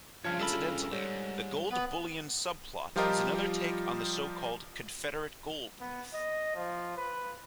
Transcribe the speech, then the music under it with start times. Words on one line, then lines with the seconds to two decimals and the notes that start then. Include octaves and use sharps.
Incidentally, the gold bullion subplot is another take on the so-called "Confederate gold" myth.
0.24 G2 C#3 F3 F4 C#5 A5 F6
0.41 A4 B5
0.92 G#2 G3 C#5
1.71 B3 B4
2.96 F3 G3 F4 G4 A#4 D#5
5.80 B3
6.14 D#5
6.55 F3
6.97 B4